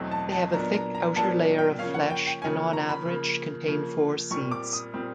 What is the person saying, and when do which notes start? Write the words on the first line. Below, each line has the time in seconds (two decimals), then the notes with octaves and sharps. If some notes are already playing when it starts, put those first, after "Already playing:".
They have a thick outer layer of flesh and on average contain four seeds.
Already playing: E2 B2 F#3 A3 C4
0.12 A5
0.32 A5
0.53 A#2 F#3 B3 D4 A#5
0.74 A#5
0.95 A#5
1.16 A#2 F#3 B3 D4 A5
1.59 G5
1.79 C#3 F3 A#3 C#4 F5
1.94 F#5
2.10 G5
2.27 G5
2.42 C#3 F3 A#3 C#4 G#5
2.73 A#5
2.89 B5
3.05 C#3 F3 A#3
3.68 C#3 F3 A#3
4.31 A#2 G3 C4 C#6
4.52 D6
4.73 D#6
4.94 A#2 G3 C4